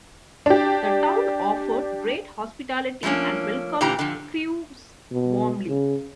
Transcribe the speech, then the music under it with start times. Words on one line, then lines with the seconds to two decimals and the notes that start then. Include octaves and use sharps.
The town offered great hospitality and welcomed crews warmly.
0.46 D4 G4
3.03 F3 A3 A#3 C#4 D4
3.81 A#2 D3 E3 G4 A#5
3.99 D3 F3
5.12 B2
5.68 C#3